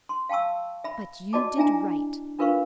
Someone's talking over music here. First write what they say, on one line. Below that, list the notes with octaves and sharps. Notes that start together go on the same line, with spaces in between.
But you did right.
C6
F5 G5 A5 C#6 E6
E5 B5
F#4 D5 D#5 A5 D6
D4 E4 E5 G#5 A#5
D4 F4 A#4 B4 F5 C#6